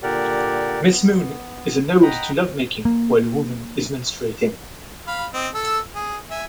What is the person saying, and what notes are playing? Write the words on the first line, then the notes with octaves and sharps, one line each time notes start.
"Miss Moon" is an ode to lovemaking while a woman is menstruating.
A#2 D3 G4 A#4 D5 F#5
B3
D#5 F#5 G5 A#5 B5
A#3
F5 B5
C4 D#5
A4 E6
G#4
E5 G#5